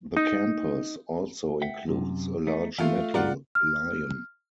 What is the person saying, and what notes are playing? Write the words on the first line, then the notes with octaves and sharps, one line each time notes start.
The campus also includes a large metal lion.
D#4
E5 F#5 G5
F#2 C3
A3 D#4
E2 A3 F4 F5
G2 G3 F4 A#4 D5 F#5
F6